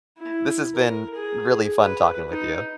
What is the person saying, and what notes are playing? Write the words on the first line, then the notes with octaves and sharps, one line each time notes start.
this has been really fun talking with you.
E4
A#4
G#4
B4
D#4